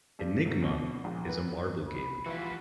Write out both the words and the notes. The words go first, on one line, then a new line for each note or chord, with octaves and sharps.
"Enigma" is a marble game.
G2
C2
B2
A#1
B4
B5
E3 F3 G3 F4 F#4 B4